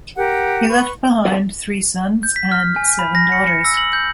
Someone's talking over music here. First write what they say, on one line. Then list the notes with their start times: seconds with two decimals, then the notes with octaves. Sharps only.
He left behind three sons and seven daughters.
0.16 G4 A#4 F#5
0.69 B4 C#6
2.23 G6
2.36 B6
2.52 F6
2.76 G#5
2.99 B5
3.15 A#6
3.32 C#7
3.47 C#7
3.65 E6
3.77 F#7
3.93 G6